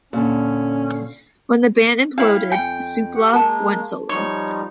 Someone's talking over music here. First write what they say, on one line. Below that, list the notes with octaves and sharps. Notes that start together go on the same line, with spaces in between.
When the band imploded, Supla went solo.
A#2 D3 C#4
D4 E4 C5 F5 G5
F2 G5 G#5
G4 F#5
G#3 A#3 A#4 A5
F3 G3 D#4 C#5 C#6